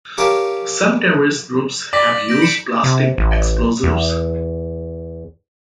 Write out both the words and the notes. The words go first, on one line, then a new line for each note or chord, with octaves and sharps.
Some terrorist groups have used plastic explosives.
C#4 G4 A#4 F5 A5
D5 A#6 B6 F#7
G6 A#6 D7
C#7 D7 E7
C3
A1
E2